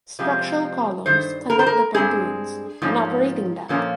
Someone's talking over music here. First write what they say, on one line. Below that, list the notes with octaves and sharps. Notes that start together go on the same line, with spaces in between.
Structural columns connect the pontoons and operating deck.
C3 F3 G#3 C4
G2 D#3 C5
A#4
C5
A#4
G2 F3 G#3 C4 G#4
G#2 F3 A#3 C#4
A#2 F3 A#3 C#4